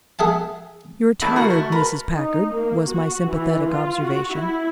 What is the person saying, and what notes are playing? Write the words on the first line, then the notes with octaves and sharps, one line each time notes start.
"You are tired, Mrs. Packard," was my sympathetic observation.
G#4 E5 F#5 A5
E2 A3 A#3 E4 A4
A#3 F#4 A#4 B4
A3 F#4
A#4 B4
D#4
A#3
F#4
E3
F4
F#4
E4